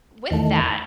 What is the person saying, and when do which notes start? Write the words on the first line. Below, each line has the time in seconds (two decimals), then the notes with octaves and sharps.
with that,
0.31 E2 D#3 A3